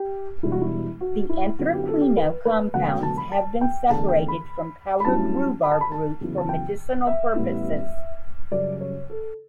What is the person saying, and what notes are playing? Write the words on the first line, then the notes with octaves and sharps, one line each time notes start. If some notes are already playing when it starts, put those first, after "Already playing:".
The anthraquinone compounds have been separated from powdered rhubarb root for medicinal purposes.
Already playing: G4
E1 E2 B2 G3 D4 E4
F#4
E4
F#4
E4
F#2 D3 F#3 B3 E4 F#4
G4
A4
G4
B4
B4
E1 D2 D3 F#3 B3 F#5
G5
A5
B5
A5
G5
E2 D3 A3 A5
G5
B5
B5
G2 F#3 C#4 E4 A5
B5
A5
B5
A5
E2 C#3 F#3 B3 E4
A5
G5
E5
A1 A2 G3 B3 E4
F#2 C#3 G3 D5
C#5
A4